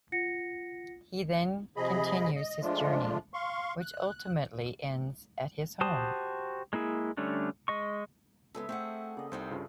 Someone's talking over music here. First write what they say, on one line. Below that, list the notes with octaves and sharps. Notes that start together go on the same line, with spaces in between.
He then continues his journey, which ultimately ends at his home.
F4 F#5 A#6 C#7
C3 F3 G#4 D#5 B5
D#5
F3 G#3 A3 D4 F4
F5 C6 C#6
F#6
F#4 G4 C5 A5 D#6
G#3 A#3 E4 G#4
D3 G3 A3 C#4 D4
G#3 D#5 C#6
C#3 G#3 B3 A4 E5
A3 C4 G#4 F#5
C#3 A#3 D5 D#5
C2 C4 D#4 C5
G2 C#3 F4